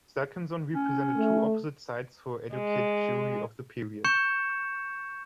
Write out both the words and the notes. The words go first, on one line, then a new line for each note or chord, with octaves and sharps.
Salkinsohn represented two opposite sides for educated Jewry of the period.
C#4
A3
G#3
C#6 G6 C#7 E7